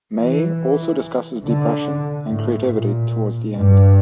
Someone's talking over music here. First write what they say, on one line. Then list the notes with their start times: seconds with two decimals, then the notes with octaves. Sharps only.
May also discusses depression and creativity towards the end.
0.15 E3
1.44 D3
2.29 A2
2.71 A#2
3.56 G2